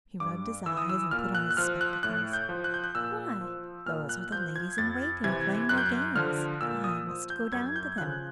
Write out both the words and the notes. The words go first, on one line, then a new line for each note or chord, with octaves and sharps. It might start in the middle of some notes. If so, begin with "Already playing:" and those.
He rubbed his eyes and put on his spectacles. 'Why those are the ladies-in-waiting playing their games; I must go down to them.'
G2 D6
E3 E6
D#6
E6
A#2 F6
F#6
F#6
F3 F6
F#6
A2 F#6
G6
F3
F#6
G6
F#6
A#2 E6
F3
A#2 F6
F#6
F3 G6
G#6
F2 A6
C3 E3 G#6
F#2 F#6
G6
F#6
D3 F3 F6
A#2 E6
D#6
F3
G6
F#2 G#6
G6
C#3 F3 F#6